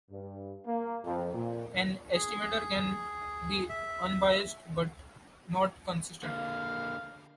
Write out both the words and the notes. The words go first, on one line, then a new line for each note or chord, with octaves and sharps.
An estimator can be unbiased but not consistent.
G2
A#3
F2
A#2
G#4
E5
D3 A#3 F5